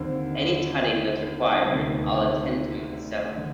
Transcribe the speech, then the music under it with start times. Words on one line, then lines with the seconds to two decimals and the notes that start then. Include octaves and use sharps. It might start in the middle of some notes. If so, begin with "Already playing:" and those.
Any tutting that's required, I'll attend to myself.
Already playing: D#2 D3 C4
1.62 D2 C3 D#3 B3
3.38 D3